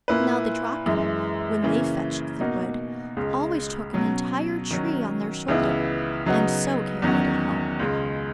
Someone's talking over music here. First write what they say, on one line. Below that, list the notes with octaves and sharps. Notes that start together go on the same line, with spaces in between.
Now the Draken, when they fetched the wood, always took an entire tree on their shoulder, and so carried it home.
A#2 A#3 E4 B4
F#2 E3 G#3
C#3 E3 A#3 C#4
B2 A#3 D#4 F#4
C#2 C#3 G#3
B2 F#3 C#4
D#3 F#3 C#4
C#2 C#3 E3 B3 E4
C#3 F#3 B3 D#4 F#4
E2 D#3 F#3 C#4 F#4
C#2 C#3 G#3